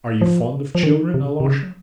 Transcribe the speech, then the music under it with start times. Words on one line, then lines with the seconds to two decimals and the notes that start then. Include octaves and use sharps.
Are you fond of children, Alyosha?
0.21 F3
0.75 F3
0.83 D#3
1.14 C3
1.40 C3
1.45 C#3